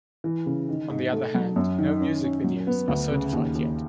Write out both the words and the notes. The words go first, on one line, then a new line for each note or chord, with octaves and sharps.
On the other hand, no music videos are certified yet.
E3
C#3
D#3
G#2
A3
F#3
F#2
D#3
C#4
C#4
F#3
B3
D2
C#3
D#2
D#2